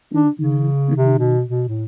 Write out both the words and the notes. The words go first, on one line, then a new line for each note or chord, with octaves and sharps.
Mhm. Mhm.
D4
C#3
C3
B2
B2
A2